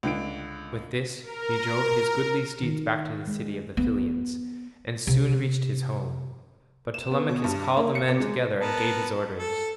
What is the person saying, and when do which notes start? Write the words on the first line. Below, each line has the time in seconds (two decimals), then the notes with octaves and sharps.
With this he drove his goodly steeds back to the city of the Pylians and soon reached his home, but Telemachus called the men together and gave his orders.
0.03 C#2 D3 D7
1.22 A#4
2.62 D#3
3.28 G#3
3.77 B3
5.07 C3
6.94 E7
7.11 B3
7.29 B2
7.44 G2
7.77 A#3
7.95 C#7
8.09 C3
8.20 G#3
8.61 B3 A#4 A5
9.39 A4